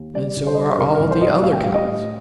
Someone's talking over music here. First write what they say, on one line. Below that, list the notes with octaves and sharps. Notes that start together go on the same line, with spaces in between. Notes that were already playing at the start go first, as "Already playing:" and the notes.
And so are all the other cows.
Already playing: D#2
G3 D5
C2
C5
G3 D#5
D5
C5
C2 A#4
A#4
C2
C5
C2 D#5
D5
A2 F5
G5
G3 F5
D#5
A2